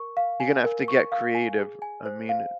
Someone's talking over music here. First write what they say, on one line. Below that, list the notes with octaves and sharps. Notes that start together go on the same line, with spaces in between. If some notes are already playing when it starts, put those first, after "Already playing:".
You're gonna have to get creative, I mean,
Already playing: A#4 C#6
F5
G#5
A#4
C#6
F5
G#5
G#4
G#5
C5
F5